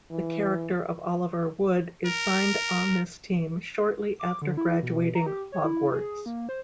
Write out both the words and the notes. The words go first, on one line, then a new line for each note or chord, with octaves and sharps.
The character of Oliver Wood is signed on this team shortly after graduating Hogwarts.
E3
A#4
D6
D3
E4
B2
A#5
G4
C#5
E4
G#4
A#3
C5